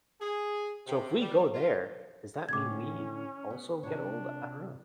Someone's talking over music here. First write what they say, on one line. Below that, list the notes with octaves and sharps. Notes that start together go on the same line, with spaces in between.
So, if we go there, does that mean we also get old? I don't know.
G#4
C3
G3
F4
A2 D3 C#4 D6 G#6
B3
C3 D4 F4 C#5